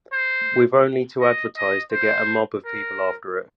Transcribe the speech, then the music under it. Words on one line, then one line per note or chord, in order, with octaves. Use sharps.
We've only to advertise, to get a mob of people after it.
C5
D#5
D#5
C5
A#4